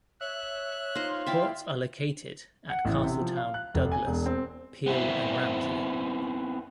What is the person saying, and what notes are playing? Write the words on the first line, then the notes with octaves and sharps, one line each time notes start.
Ports are located at Castletown, Douglas, Peel and Ramsey.
C#5 E5 F#6
D#4 F4 C5 F5 C6
E4 D5 E5 G5
F#5
A1
C3
F3
F5
F#6
F1
G#5
E1
C4
B3 C4 E4